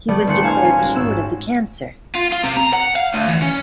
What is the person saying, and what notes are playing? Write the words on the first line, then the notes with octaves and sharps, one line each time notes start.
He was declared cured of the cancer.
G3 A3 B3 D5
D#1 D#2 A3 C6 F#6 C#7
C5 F5 G#5
C#4
G#3 F#4
G#1 E6 E7
F4
F4
C3
A#5
F#5
F5
D2
E3
C#4